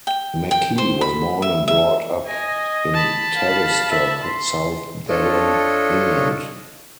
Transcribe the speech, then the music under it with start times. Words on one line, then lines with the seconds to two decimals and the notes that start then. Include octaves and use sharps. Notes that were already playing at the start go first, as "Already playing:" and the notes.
McKee was born and brought up in Tavistock, South Devon, England.
0.07 G5
0.51 G5
0.78 C5
1.01 B5
1.42 E5
1.68 E5
2.26 D#5 G#5 A#6
2.94 A5 B5
3.36 F5
3.91 E5
4.24 C6
5.09 D4 F4 A4 C#5 D#5